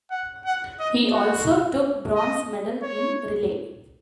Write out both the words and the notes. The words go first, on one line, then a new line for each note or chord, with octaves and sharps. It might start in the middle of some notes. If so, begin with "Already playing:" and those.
He also took bronze medal in relay.
F#5
F#5
D#5
F#4
D#5
C#5